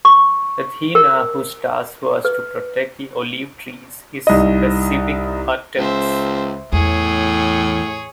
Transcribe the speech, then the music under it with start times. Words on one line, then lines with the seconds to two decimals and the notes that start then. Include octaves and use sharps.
Athena whose task was to protect the olive-trees is a civic Artemis.
0.05 C#6
0.95 A#4
2.25 B4
4.27 C2 D#4 D#5
5.77 C#2 C5 E5
6.72 E2 A2 G#4 C#5